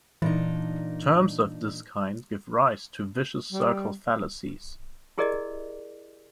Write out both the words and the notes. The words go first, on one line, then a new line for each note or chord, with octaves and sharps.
Terms of this kind give rise to vicious circle fallacies.
A#2 E3 D4 D#4
G3
E4 G4 G#4 A#4 D5 D#5